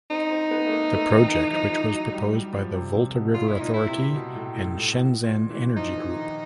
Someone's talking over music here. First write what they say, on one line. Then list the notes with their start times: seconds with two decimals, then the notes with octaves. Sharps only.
The project which was proposed by the Volta River Authority and Shenzen Energy Group.
0.10 C4 D#4
0.30 C4
0.51 B3
0.66 A3
0.72 A#3
0.92 A3
1.12 D#3
1.32 E3
1.53 F3
1.72 E3
1.93 F#3
2.12 G3
2.33 G3
2.53 F3
2.74 C3
2.94 C3
3.15 B2
3.34 A#2 F4
3.48 E4
3.60 A#2 D#4
3.74 E4
3.88 C3
4.16 B2
4.35 A2
4.56 A2
4.77 A2
5.24 A#2
5.50 E3
5.77 F3 D#4
5.97 E3
6.18 D#3